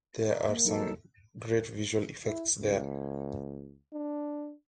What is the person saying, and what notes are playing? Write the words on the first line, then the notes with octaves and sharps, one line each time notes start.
There are some great visual effects there.
A#4
A#3
F#3 D#4 A4
E4
C#2
D4